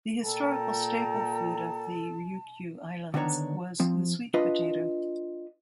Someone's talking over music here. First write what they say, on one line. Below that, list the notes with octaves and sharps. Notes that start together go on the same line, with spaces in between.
The historical staple food of the Ryukyu Islands was the sweet potato.
A#2 A4 G5 A5 A#5
D3 D#3 B3 D4 C#5 A#5
F3 C4
D4 F4 B4 D#5